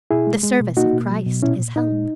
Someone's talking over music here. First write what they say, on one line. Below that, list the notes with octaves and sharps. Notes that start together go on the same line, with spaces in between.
The service of Christ is help.
B2 E4 G#4
G#3
G#3
B2
A#3 D#4 F#4
B2
F#3
B2
A#2 C#4 E4
A#2
A#2 D#4
G#3